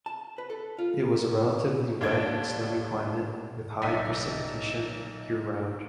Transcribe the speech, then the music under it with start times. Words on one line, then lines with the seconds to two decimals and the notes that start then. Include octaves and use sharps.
It has a relatively wet and snowy climate with high precipitation year-round.
0.06 A5
0.38 B4
0.50 A4
0.79 F4
2.01 D#2 D4 A4 D5 G#6 D7
3.82 B1 D#4 D5 E5 B6 D#7